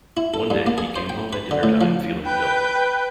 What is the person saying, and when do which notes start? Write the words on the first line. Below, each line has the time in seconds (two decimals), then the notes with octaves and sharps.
One day he came home at dinner-time feeling ill.
0.17 E4
0.34 A4
0.50 G2
0.67 A#3
0.78 G#4
0.96 C5
1.09 G5
1.33 B4
1.51 D3
1.63 A2
1.81 F3
2.26 B4 G5